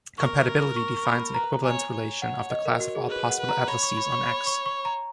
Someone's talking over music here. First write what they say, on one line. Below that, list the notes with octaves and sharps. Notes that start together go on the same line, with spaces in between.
Compatibility defines an equivalence relation on the class of all possible atlases on "X".
A#4 C#6
C#6
C#6
B5
B4 A#5
C#5 G#5
C#5
F#5
D#5
A#4
F#4
G#4
B4
F#5
B4
A#5
C#5 B5
C#6
B5
C#6
B5
C#6
C#6
A#5